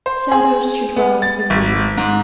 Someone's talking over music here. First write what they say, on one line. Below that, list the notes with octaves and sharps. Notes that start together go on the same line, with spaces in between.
Shadows should dwell in ruins.
C5
G#4
B3
A6
G#1
G#2